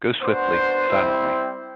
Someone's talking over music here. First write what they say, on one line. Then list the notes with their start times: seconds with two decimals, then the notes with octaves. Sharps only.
Go swiftly, silently.
0.21 B3 D4 F#4 C5
0.88 G3 C4 E4